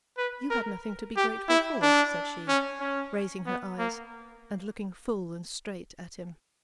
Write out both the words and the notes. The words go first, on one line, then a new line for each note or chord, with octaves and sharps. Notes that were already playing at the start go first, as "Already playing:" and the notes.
'You had nothing to be grateful for,' said she, raising her eyes, and looking full and straight at him.
B4
A#4
G4
E4
D4
C#4
C#4
B3
A#3